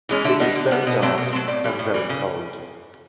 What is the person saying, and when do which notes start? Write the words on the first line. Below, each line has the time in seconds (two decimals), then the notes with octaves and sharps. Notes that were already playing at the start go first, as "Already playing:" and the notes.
It was very dark and very cold.
0.09 E3 G#3 C#4
0.24 D3 E5
0.40 G3 B3 D#5
0.55 D3
0.71 G3 B3
0.87 B2 D#5
1.02 F#3 A3 C4
1.18 B2
1.33 F#3 A3 C4
1.48 A2 D5
1.64 E3 G3
1.79 A2
1.94 E3 G3
2.09 C#3